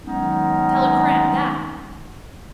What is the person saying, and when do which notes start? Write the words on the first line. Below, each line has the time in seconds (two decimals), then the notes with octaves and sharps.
Tell a cram, that.
0.04 D#3 F#3 G#3 B3 C#4 D#4